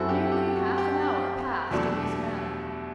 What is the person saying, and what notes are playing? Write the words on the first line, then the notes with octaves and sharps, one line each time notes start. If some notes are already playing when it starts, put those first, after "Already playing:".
Nearly half an hour passed in this manner.
Already playing: F#2 F#3 C4 E4 F#4 A4
G4
G4
F#4
G4
E2 B2 F#3 A3 D4